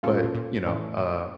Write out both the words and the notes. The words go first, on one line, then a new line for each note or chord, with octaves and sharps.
but, you know, a
G#2 A#3 C#4 F4 A4
A2
A#2
A#2
A2 E3 A3 C#4
A#2